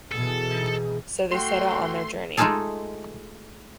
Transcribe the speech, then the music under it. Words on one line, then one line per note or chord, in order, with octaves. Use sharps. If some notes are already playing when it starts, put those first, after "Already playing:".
So they set out on their journey.
B2 E3 G#4 A4
D#4 G#4
A3 F#4 G5 C6
G#3 A3 D#4 F4 G#4 A4